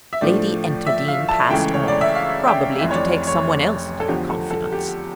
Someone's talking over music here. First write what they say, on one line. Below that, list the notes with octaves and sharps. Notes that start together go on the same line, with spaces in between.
Lady Enterdean passed on, probably to take some one else into her confidence.
E5
A2 F3 A3 D4 D5
E5
F5
A5
C#2 C#3 E3 A3 G5
C#5
D5
E5
F5
G5
F1 F2 E3 E5
C#5
D5
C#5
A4
E2 D3 F3 G4
A4
A4
G4